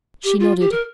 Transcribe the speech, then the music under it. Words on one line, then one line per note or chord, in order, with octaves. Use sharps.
She nodded.
G4
F4
G4
A#4